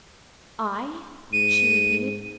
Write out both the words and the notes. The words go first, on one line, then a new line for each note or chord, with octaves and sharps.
"I?" she repeated.
G#2 D#7